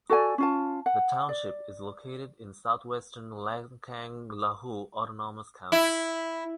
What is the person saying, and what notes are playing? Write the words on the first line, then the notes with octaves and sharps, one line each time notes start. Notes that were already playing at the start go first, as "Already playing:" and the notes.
The township is located in southwestern Lancang Lahu Autonomous County.
F#4 A4 D5 G#5
C#4 F4 A5
F#5
D5
E4